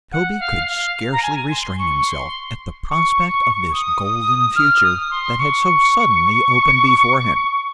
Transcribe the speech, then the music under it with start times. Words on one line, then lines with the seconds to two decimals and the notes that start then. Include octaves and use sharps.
Toby could scarcely restrain himself at the prospect of this golden future that had so suddenly opened before him.
0.12 F#5
0.40 F5
0.67 F5
1.12 A#5
1.22 G#5
1.51 C6
1.78 C#6
2.06 C6
2.89 C#6
3.72 D#6
4.55 F6
4.83 D#6
5.11 C6
5.38 C#6